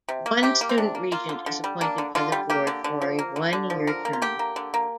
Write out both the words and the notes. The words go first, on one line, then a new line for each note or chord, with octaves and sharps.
One student Regent is appointed by the Board for a one-year term.
C3
A#3
C3 G4
A#3
C4
C3 D4
A#3
A#3 F4
D3
D3
G3
A#3 D4
D3
D3 F4
G3
A#3 G4
D3
D3
F3
A#3
D3
D3
F3
D3 A#4
A#3
F4
D3 G4
A#3
D3
A#3